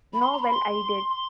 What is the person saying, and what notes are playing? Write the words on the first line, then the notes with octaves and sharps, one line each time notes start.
No - well, I did.
B5
C6
A#5
C6
B5
C6
C6